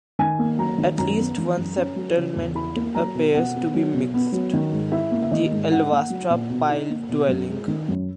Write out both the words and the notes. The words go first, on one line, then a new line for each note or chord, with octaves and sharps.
At least one settlement appears to be mixed, the Alvastra pile-dwelling.
D#3 G#5
A#3
F#3 A#5
D#3
F#2 A#5
B3
E3
F#2
C#4
F#3
C#3
E2
E4 B5
A#3
F#3 A#5
B2
B2 F#5
B3
F#3
B2
B3
F#3
D#3
G#2
E4 E5
A#3
E5
D#3 D#5
G#2
D#4 F#5
A#3
F#3
A#2
B2
D#4
A#3
B2
F#2
G#3
D#3
F#2